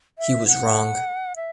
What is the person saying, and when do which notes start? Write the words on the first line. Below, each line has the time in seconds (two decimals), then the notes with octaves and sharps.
He was wrong.
0.19 E5
0.47 F#5
1.36 E5